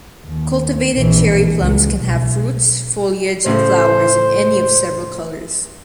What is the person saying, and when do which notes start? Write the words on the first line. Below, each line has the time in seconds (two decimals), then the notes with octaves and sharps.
Cultivated cherry plums can have fruits, foliage, and flowers in any of several colours.
0.26 D#2
0.96 A#1 E3
1.59 C#2
1.95 B1
3.46 A2 C#3 A3 C5